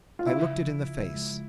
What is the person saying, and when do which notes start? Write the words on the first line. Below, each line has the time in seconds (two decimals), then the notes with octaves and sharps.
I looked it in the face.
0.19 F4
0.26 C#3 E4
0.53 F3
0.81 C#2
1.07 G#3